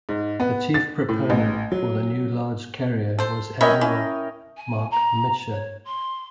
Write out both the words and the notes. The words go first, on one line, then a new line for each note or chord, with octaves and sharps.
The chief proponent for the new large carrier was Admiral Marc Mitscher.
G#2
B3
A6
A2
A1
F#3
A4 C5
B3 C#4 A#4 D#5 E5 G5
C#4 E4
G#5
A#5
C#5
C6